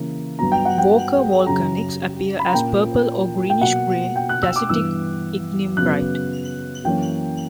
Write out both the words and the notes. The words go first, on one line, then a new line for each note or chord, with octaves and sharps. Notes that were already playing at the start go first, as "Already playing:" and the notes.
Walker Volcanics appear as purple or greenish-grey dacitic ignimbrite.
Already playing: C#3 E3 A#3 C#4
G2 F#3 B3 A#5
G5
F#5
G5
F#2 C#3 F#3 C#4 A#5
B5
A#5
A#2 A#3 C#4 G5
G5
B2 F#3 A#3 F#5
G5
F#6
E6
D6
G2 E3 B3 E6
F#2 C#3 F#3 B3 F#6
F#2 E3 A#3 C#4 G5